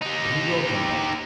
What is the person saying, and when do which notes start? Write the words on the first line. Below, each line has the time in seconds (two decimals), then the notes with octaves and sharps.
But he will come back.
0.01 D#4 G4